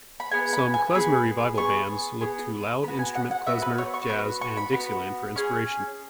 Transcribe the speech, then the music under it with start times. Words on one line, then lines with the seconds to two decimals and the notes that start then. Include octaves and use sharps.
Some klezmer revival bands look to loud-instrument klezmer, jazz, and Dixieland for inspiration.
0.20 B5
0.31 B3 G#4 G#5
0.53 B5
0.74 G#5
0.94 B3 G#4 B5
1.57 B3 G#4 C#6
2.21 B3 G#4
2.83 B3 B5
2.88 F#4
2.99 G#5
3.15 F#5
3.31 F#5
3.47 B3 F#4 E5
3.62 B4
3.78 C#5
3.94 C#6
4.09 B3 F#4 C#6
4.41 C#6
4.57 B5
4.73 B3 F#4
5.36 C#4 G#4